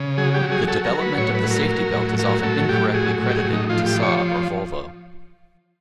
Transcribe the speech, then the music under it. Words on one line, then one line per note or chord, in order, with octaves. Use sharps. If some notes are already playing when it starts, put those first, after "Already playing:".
The development of the safety belt is often incorrectly credited to Saab or Volvo.
Already playing: C#3
F#3 G#4
G4
F#3
G#4
F#3 A4
A#4
F#3
B4
A2 C#5
B4
F#3
A#4
F#3
A2
F#3 A#4
A2 A4
A2 G4
F#3 G#4
A2
G4
G#4
A2
D#4
F3 F4
G4
F3
C#5